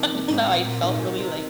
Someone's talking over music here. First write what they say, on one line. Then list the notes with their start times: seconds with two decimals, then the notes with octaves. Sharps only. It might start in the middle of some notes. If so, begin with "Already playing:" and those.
I don't know, I felt really, like
Already playing: C3 D#3 F3 D#4
0.11 C3
0.29 G#2
0.46 A#2
0.65 A#2
0.83 A#2 D#3
0.95 G#2
1.07 A#2
1.19 C3